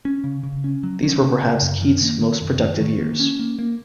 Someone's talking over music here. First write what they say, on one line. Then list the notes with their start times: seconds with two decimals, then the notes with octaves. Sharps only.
These were perhaps Keats's most productive years.
0.05 C#4
0.24 C#3
0.43 C#3
0.64 C#4
0.83 F#3
1.03 C#4
1.23 C#3
1.43 C#3
1.62 F#2
1.82 D#3
2.02 A#3
2.21 D#3
2.41 F#2
2.60 D#3
2.80 D#3
3.00 A#3
3.20 C#4
3.39 A#3
3.59 A#3